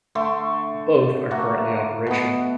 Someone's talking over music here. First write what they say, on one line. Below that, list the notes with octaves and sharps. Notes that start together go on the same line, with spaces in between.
Both are currently operational.
D3 A3 C6
A3 A#3 F#4
B2 B3